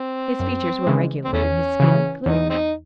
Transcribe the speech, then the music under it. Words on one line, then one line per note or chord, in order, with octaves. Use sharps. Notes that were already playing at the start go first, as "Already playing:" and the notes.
His features were regular and his skin clear.
Already playing: C4
F#2
C#3 E3 G#3
C4
E2 A3 C#4
C#3 E3
E2 D#4
C4 D#4